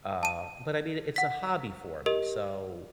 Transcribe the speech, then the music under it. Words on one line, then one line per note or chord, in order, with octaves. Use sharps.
uh, but, I mean, it's a hobby for me, so
A5 D#7
F#5 B6
G4 A#4 D#5